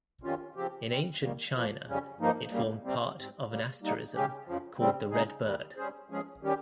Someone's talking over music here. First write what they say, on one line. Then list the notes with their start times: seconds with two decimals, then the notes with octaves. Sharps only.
In ancient China it formed part of an asterism called the "red bird".
0.23 F2 D#3 G3 C#4 F4
0.55 C#3 F3 C4 G4
0.88 C3 G3 C4
1.21 D#2 D#3 G3 A#3
1.53 A#2 F3 A#3
1.86 F2 C#3 G3 C#4
2.18 G2 F3 A#3 D#4
2.51 D#2 C#3 G3 A#3
2.83 C3 G3 C4
3.16 G#2 G3 C4
3.48 C#3 G3 A#3
3.81 G3 A#3 D#4
4.14 C#3 G#3 C#4 G4
4.46 F2 C#3 F3
4.79 C#3 G3 C4
5.11 C#3 G#3 D#4 G#4
5.44 D#2 D#3 G3
5.77 C#3 G3 C#4 G#4 C5
6.09 G2 F3 G#3 C#4 G#4
6.41 D#3 G3 C#4 G4